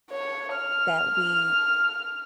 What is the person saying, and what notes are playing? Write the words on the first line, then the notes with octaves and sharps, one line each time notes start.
that we
C#5
F6